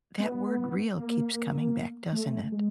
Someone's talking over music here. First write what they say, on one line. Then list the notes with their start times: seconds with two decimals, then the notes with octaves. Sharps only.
that word "real" keeps coming back, doesn't it?
0.20 B3
0.96 A#3
2.12 A3
2.52 G#3